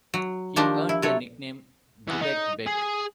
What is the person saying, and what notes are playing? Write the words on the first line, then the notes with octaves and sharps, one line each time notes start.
He earned the nickname "Gubec Beg".
F#3
D#3 F3 A#3 D4 G4 C5
E4
C3 F#3 A4 C#5
E3 F#5
D#4
G#4